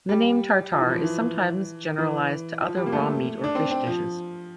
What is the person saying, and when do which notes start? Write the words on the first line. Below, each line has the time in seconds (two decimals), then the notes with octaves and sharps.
The name tartare is sometimes generalized to other raw meat or fish dishes.
0.09 G3
0.73 F3
0.81 E3
0.89 F3
1.04 E3
1.98 E3
2.61 F3
2.77 G3
2.86 A#3
2.92 A3
3.44 D4
3.55 C4
3.71 C4
3.87 F3